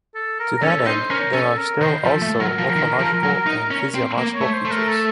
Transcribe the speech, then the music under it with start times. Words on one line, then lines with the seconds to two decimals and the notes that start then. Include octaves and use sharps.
To that end, there are still also morphological and physiological features.
0.15 A4
0.40 A#4
0.58 A#4
0.62 C#4 A4
0.86 D#4 C5
1.10 C#4 A#4
1.33 C#4 A4
1.57 A#4
1.81 D#3 C5
2.04 F3 A4
2.22 A3
2.40 F#3 A#4
2.59 F3
2.76 D#3
2.99 F3
3.23 F#3
3.47 D#4
3.71 C#4
3.94 C4
4.18 A#3
4.35 C#5
4.41 A3
4.54 C5
4.65 A3
4.71 A#4
4.88 A4